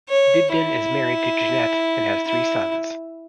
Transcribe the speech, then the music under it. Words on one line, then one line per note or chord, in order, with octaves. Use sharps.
Dibden is married to Jeanette and has three sons.
C#5
E4
E4